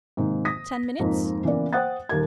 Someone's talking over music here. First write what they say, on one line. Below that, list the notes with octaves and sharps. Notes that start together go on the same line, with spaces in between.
Ten minutes?
G#2 C3 D#3 A#3
D#6 A#6 B6
F2 G#2 A#3 D#4
C#3 E3 A#3 B3 D5
C5 F#5 G5 D#6 F#6 A6
D#1 D#2 A#4 G#6